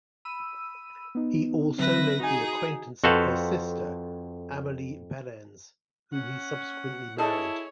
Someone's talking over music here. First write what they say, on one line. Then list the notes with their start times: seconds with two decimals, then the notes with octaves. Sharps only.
He also made the acquaintance of her sister, Amelie Behrens, whom he subsequently married.
0.25 B5 E6 D#7
1.15 B3 D#4
1.78 D3 F#3 C4 B4 E5 A#6
2.20 D#4 F#4 G#4 G#5
3.04 F2 F#4 A4 B4 C5 F5
6.13 C#4 F#5
7.18 E4 G#4 A4 C#5 D#5 A5